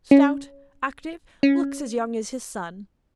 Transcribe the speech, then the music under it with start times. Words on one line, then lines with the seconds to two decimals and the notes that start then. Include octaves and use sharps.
Stout, active--looks as young as his son.
0.11 C#4
1.43 C#4